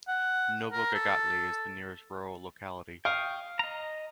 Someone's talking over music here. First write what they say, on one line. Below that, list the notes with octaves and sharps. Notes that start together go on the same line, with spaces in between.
Novogagatli is the nearest rural locality.
F#5
A#4
A4
F5 G5 C#6 D#6
D#5 A#5